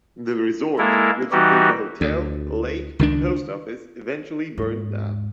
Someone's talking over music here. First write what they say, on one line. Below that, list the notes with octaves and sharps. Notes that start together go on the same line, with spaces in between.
The resort, which included a hotel, lake, and post office, eventually burned down.
G#3 A#3 E4 A4 A#4
E3 G3 D#4 F#4 G4
D2
C#2 D#3 D4
D#2 G#2